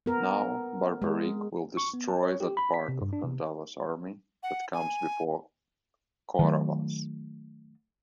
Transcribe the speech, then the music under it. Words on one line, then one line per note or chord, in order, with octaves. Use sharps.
Now, Barbareek will destroy that part of Pandavas army that comes before Kauravas.
B3 A#4
G#3
C#6
B3
A5
C#5
G4
B5
B6
C3
G2
D4
C3
F#5
G#5
D#3 F#3 A3